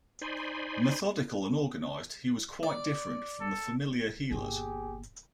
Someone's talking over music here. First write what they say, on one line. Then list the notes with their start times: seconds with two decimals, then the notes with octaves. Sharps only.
Methodical and organized, he was quite different from the familiar healers.
0.21 D#4 C5 D5 G#5 B5 C6
2.63 D5
3.41 A4
4.31 G1 A#2 G4 G#4